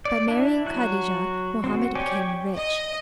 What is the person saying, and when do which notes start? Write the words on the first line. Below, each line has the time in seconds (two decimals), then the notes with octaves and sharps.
By marrying Kadijah Mohammed became rich.
0.05 D5
0.28 D4 E4
0.65 F#3 F#4 F#6
1.64 C4 F#4
1.95 G4 C#5 D5 G#5
2.55 D#5